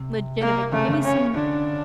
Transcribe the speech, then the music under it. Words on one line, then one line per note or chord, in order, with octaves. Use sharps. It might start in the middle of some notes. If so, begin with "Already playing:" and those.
legitimate give me some
Already playing: C3
A#3
C#3 A3
C#3
C#4
D3 D4